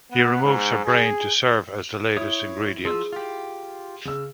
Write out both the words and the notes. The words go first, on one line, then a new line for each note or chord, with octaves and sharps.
He removes her brain to serve as the latest ingredient.
B3
G#2
G#4
E4 C#5 D#6
F3 F4 G#4 E6
F4 G4
C#3 E6